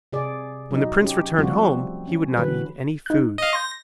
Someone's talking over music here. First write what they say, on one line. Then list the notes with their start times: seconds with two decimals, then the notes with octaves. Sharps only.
When the prince returned home he would not eat any food.
0.13 C3 G#4 D5
0.71 F#3 D#4
1.01 C#4 G4
1.39 F3 G3 A3 C4 F4 F#4
2.07 C#4
2.37 D3 E3 F#3 B4
3.06 D#4 F#6
3.38 D#5 F5
3.53 C6 G6 A#6